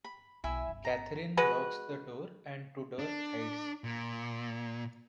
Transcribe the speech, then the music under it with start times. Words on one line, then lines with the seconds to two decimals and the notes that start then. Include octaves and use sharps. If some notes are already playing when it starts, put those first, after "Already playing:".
Catherine locks the door and Tudor hides.
0.04 B5
0.44 B1 D3 E4 E5 G#5
0.68 G1 C#4
0.85 A#5
1.37 G#3 F#4 B4
2.99 D4
3.84 A#2